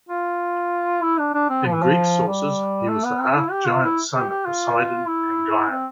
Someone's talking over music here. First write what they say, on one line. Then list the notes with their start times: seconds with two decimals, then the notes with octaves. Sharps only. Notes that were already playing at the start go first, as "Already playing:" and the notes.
In Greek sources, he was the half-giant son of Poseidon and Gaia.
0.09 F4
1.02 E4
1.19 D4
1.34 D4
1.49 C4
1.66 F3
1.74 E3
1.83 F3
2.28 G3
2.89 A3
3.05 B3
3.21 C4
3.36 E4
3.51 G4
3.67 F4
3.83 E4
4.15 G4
4.29 G4
4.45 F4
5.08 E4
5.70 C4